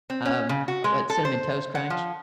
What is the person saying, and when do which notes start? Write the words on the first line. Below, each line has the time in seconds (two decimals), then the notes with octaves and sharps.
um, what Cinnamon Toast Crunch.
0.10 C4
0.25 C#4
0.49 C#3
0.68 F#4
0.84 G#3
1.10 A4
1.25 C5
1.75 F#5
1.90 F3